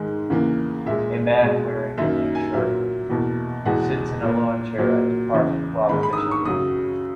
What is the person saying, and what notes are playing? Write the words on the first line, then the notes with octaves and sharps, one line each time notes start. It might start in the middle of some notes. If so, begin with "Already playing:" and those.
A man wearing a pink shirt, sits in a lawn chair at the park while fishing.
Already playing: G#2 D#3 G#3
E2 C#3 E3 A#3
A#2 G#3 E5
B2 G#3
F#2 D#3 A#3 E5
E5
G#5
A#2 F#3 A#3 E5
E2 B2 A#3
E2 B2 G#3 F#5
A#2 A#3
A#2 F#3 A#3
E2 C#3 E3
G#2 D#3 G#3 B5
B5
D#6
E6
C#6
F#2 C#3 F#3 D#6